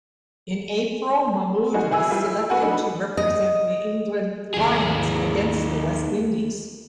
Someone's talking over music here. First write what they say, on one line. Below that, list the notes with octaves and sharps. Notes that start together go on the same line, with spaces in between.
In April, Mahmood was selected to represent the England Lions against the West Indies.
G3 D#4 F#4 G#4
E3 G#4 G#5 E6
G3 E4 F4 E5
E6
F#4 B4 F#5 G#5
D4 D#4 B5
D#5
D#2 G#4